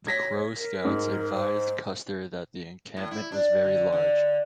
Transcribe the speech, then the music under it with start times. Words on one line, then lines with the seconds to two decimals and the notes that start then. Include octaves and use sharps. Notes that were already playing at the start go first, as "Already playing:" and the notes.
The Crow scouts advised Custer that the encampment was very large.
0.07 C#5 G#6 A#6 B6
0.56 A#4
0.85 G#2
1.33 C5
2.97 A2
3.11 E4
3.32 D4
3.63 D3
3.92 D3